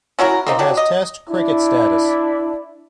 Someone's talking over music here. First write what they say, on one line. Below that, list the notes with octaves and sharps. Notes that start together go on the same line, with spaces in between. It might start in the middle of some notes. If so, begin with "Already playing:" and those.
It has Test cricket status.
C#4 E4 F#4 A#4
A#3 C4 D#4
F#3 D4 G4
D#5
D4 E4